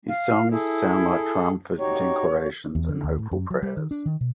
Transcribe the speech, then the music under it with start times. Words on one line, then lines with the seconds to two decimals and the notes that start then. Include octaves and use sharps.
His songs sound like triumphant declarations and hopeful prayers.
0.08 F5
0.51 E4 G#4 A4
1.78 D#4 F#4 G4 C#5
2.75 E2
2.89 D3
3.03 D#2
3.19 A2
3.31 F#2
3.50 F#3
3.63 G3
3.77 D#3
3.91 D4
4.06 D#3
4.21 B2